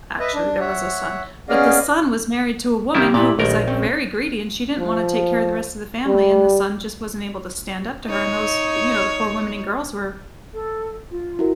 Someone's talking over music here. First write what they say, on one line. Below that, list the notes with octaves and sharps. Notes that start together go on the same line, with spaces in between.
actually, there was a son. But the son was married to a woman who was, like, very greedy, and she didn't wanna take care of the rest of the family, and the son just wasn't able to stand up to her, and those th you know, the poor women and girls were
B4 D#5 E5
D4
C#5 E5 F#5
B3 C#4 G#4 D5 D#5 F5
C3 D#3 G3 C4 E4 G4
A#2 E4 G4 D5
A#1 D#3 G3 A3 A#4
C4 C#4
F3
G3
D#4 C#5
A4
F4
E4 F#4 A#4